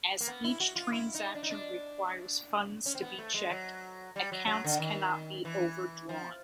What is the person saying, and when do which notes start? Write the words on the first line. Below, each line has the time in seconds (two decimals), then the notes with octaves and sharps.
As each transaction requires funds to be checked, accounts cannot be overdrawn.
0.21 A#3
0.28 B3
0.44 E4
0.60 F#4
0.76 F4
0.92 E4
1.14 D#4
1.35 D4
1.43 D#4
1.50 D4
2.86 C#4
2.95 C4
3.02 B3
3.19 A3
3.34 G#3
3.51 F#3
4.16 G3
4.32 F#3
4.47 F#3
4.64 D3
4.80 D#3
5.45 E3
6.09 F3